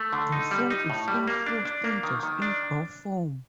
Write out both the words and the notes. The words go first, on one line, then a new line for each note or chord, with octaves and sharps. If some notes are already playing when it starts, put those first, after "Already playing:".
The song is in four stanzas in bar form.
Already playing: A3
D3
D#4
G3
D#4
A2
G3
A#3
D4
D4
A#3
D#3
D#3
D4